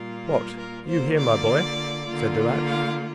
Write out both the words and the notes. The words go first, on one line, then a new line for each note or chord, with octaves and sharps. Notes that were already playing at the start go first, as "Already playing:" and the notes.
"What! you here, my boy?" said the rat.
Already playing: A#2 G3 A#3 F4
A#4
A#4
D3 A#3 F4 C5
D5
D3 A#3 F4
F5